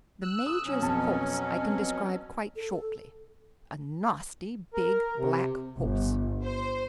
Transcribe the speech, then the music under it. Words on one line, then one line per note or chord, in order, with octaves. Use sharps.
The Major's horse I can describe quite shortly--a nasty big black horse.
E6 F#6
D#6
B2 F#3 C#4
F2 A5
A4
A#4
C3
G1
C5